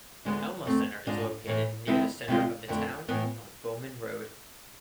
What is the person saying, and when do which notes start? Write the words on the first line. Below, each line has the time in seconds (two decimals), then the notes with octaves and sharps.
Elma Center is located near the center of the town on Bowen Road.
0.25 D2 D3 G#3 B3 D4
0.65 F2 D3 A3 C4
1.06 G#2 G#3 D4 F4
1.47 A2 E3 A3
1.87 E2 D3 G#3 C4 E4
2.27 D2 C3 G#3 D4 F4
2.68 F2 D3 A3 D4
3.09 A2 E3 B3